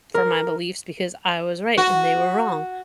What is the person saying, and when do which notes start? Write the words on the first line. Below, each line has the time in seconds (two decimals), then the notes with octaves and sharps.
for my beliefs because I was right and they were wrong.
0.14 A#4
1.78 F#4